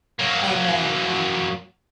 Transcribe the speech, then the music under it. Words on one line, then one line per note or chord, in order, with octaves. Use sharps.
and then, um,
F#3 A#3